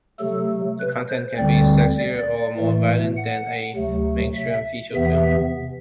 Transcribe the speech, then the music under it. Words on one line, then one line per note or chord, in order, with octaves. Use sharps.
The content can be sexier or more violent than a mainstream feature film.
C3 F#3 A3 A4
B4
C5
D2 D3 G3 C4 D5
D5
A2 E3 A3
F#5
D2 C3 F#3 A3
E5
E2 C3 E3 B3 E5